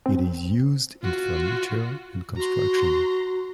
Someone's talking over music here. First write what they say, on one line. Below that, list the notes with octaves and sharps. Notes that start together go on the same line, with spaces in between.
It is used in furniture and construction.
C4
F4 F#4
F#4 A#5 C6